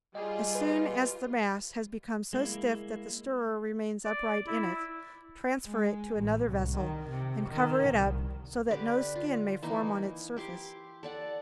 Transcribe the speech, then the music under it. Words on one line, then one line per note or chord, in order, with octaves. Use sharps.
As soon as the mass has become so stiff that the stirrer remains upright in it, transfer it to another vessel and cover it up so that no skin may form on its surface.
G3 F4 G#4 D#5
B4
G#3 A#3 E4
D5
E4
G#3
A1
C2
D#3
C3
D#3
C2
D3 G4 B4 D6
F4
E3 A#3 D#4
E4 G4 C6 D6
A4 D5 F#5